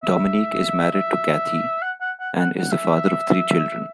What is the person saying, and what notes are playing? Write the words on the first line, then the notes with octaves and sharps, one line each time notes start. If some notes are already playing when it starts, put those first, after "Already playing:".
Dominic is married to Cathie and is the father of three children.
E5
E5
F#5
F#5
F#5
F#5
F#5
E5